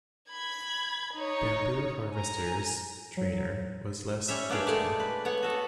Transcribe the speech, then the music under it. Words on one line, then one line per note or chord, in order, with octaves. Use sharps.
Bamboo Harvester's trainer was Les Hilton.
B5 G#6
D#4 C#5
G#5 A#5
F#3
G3 C#4 C#5 E5
A#3 B3 D4 G4 G#4
A#2 G#3 A3 G4 D5 A5
B4
B3 B4 C#5 F#5
F#4 A4